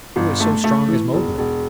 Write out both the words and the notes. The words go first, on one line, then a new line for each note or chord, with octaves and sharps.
Who is so strong as Mowgli?
G1
A3
A3
E3
E1
E1